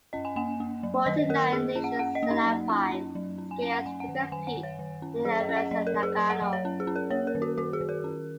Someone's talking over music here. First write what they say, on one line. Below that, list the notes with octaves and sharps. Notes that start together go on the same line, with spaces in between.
Forty-nine nations sent alpine skiers to compete in the events in Nagano.
C#4 D#5
G#5
A#3 G#5
A#3
F#3
D#3 D#5
A#3 A#4
A#3 G#4
C#4
F#5
C#4 F#5
D#5
A#3
D#4
F#3
C#4
C#4
F#3
C#4
G#5
C#4
F#5
F#3 G#5
F#5
D#3
D#3 G#5
F#5
D#3
C#5
D#3
C#4
F#3 G#4
D#5
C#4
F#5
F#3 D#5
A#4
F#3
G#4
F#3
F#5
F#3
C#5
C#4
G#4
C#4
A#4
A#3 C#5
A#4
D#3
F#4
D#3 F#4
G#4
D#3
A#4
C#4